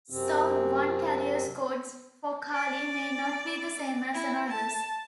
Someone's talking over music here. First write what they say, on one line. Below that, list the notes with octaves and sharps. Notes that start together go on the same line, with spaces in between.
So one carrier's codes for Cali may not be the same as another's.
F#2 C3 C4
D5
E4
A5